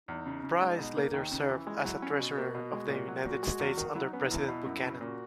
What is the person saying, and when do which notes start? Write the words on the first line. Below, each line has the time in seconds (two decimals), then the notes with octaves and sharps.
Price later served as treasurer of the United States under President Buchanan.
0.08 E2 D#4
0.26 C#3
0.43 C#3
0.61 G#3
0.79 B2
0.97 A#3
1.14 D#2
1.31 C#3
1.40 D#4
1.49 E3 E4
1.67 G#3
1.85 F#3
2.02 C#4
2.20 B2 F#4
2.38 A#3
2.55 B2
2.72 G#3
2.90 A#2
3.08 F#3
3.25 A#2 F#4
3.43 G#3
3.60 E2
3.77 D#3
3.95 F#3 E4
4.04 D#4
4.13 B3 C#4
4.22 D#4
4.31 E2 E4
4.48 B2
4.66 F#2
4.83 C#3
5.01 A#2 F#4